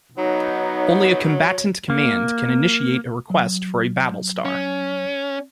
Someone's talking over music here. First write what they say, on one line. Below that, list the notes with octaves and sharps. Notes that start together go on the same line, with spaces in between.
Only a Combatant Command can initiate a request for a battle star.
F#3 B3 D#4 C#5
A#3
F#3
C#4